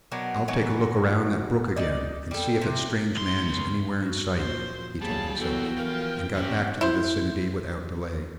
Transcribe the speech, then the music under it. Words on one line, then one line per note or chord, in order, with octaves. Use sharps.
"I'll take a look around that brook again, and see if that strange man is anywhere in sight," he told himself, and got back to the vicinity without delay.
B2 F#3 D4 A#4
E3 F#3 D#4
D#4 D5
G3 A4
C3
C#2 C6
F#4
A#2 F3 C5
F#3 G3 A#3 G#4 A5
E3 F#3 B3 F#4 G#4 A4 G5
E3 F3 A#4 F5
B2 C#4 F#4 G4
E4 C5